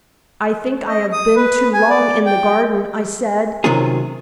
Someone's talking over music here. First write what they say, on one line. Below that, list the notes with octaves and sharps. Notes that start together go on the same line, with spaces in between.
"I think I have been too long in the garden," I said.
D#5
D#6
B4
G#5
D5
G5
C3 D#3 F#3 C#4 F4 G#4